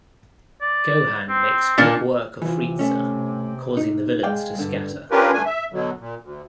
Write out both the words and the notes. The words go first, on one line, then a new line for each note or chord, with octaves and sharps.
Gohan makes quick work of Frieza, causing the villains to scatter.
D5
C4
A#2 A#3 D4
C3 E3 F3
A3 C#4
D#4
G#3 D5 F5 G5
G2 D3
C#4 D4 F4 G4 A#4 B4
G2 D3 A3 D4 G#5
E5
B2 D3 F#3
A#2
D2